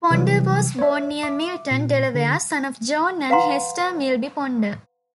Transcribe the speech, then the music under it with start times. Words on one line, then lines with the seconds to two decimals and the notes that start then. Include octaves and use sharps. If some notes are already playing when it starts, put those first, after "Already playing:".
Ponder was born near Milton, Delaware, son of John and Hester Milby Ponder.
0.11 C3 E3 F#3 G3
0.79 C#5 E5
1.23 E5 D6
1.71 A#2
2.15 D3
3.30 B4 F5 F#5 A#5 C6